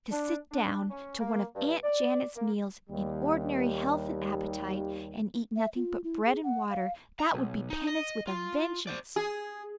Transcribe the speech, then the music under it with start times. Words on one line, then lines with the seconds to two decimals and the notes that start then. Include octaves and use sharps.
To sit down to one of Aunt Janet's meals, in ordinary health and appetite, and eat nothing but bread and water--that would be penance with a vengeance!
0.11 D4
0.51 D4
0.90 C#4
1.19 A#3
1.55 G2
1.84 D5
2.36 A#3
2.90 D#2 G3
5.56 E5
5.76 F4
6.04 E4
6.25 G#4
6.44 F#5
6.70 F5
7.20 A#5
7.34 B1
7.70 D#4
7.87 D#5
8.27 F4
8.87 C5 D5
9.16 G#4